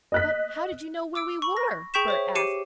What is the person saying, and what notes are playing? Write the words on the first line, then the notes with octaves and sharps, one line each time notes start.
"But how did you know where we were?" Bert asked.
D#5 F#6 B6
D6 E6 D7
B5 C#6
A#6
G#4 G5 C#6 G6 B6 E7
C5 C#5 E5
G4 D6 C7 C#7 D#7